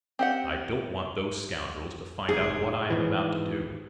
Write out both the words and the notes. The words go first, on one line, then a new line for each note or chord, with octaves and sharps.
I don't want those scoundrels to find out what I am about to do.
C4 G4 F#5
F1 G#2 G#4
G#2 D#3 E3